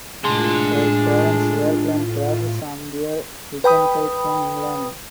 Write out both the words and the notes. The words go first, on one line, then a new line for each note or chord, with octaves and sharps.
Her parent’s air plane crashes on their return flight from England.
A2 G#3 D4 F4 C6
B4 G5 B5 D#6